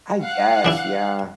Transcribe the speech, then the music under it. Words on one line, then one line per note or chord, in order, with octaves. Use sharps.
I guess, yeah.
F5 F#5 F#6
E3 D4 E4